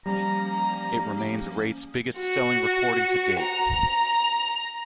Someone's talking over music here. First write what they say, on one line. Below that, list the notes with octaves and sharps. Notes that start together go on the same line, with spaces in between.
It remains Raitt's biggest-selling recording to date.
F3 G3 A#3 C#4 A#5
F#4
A#5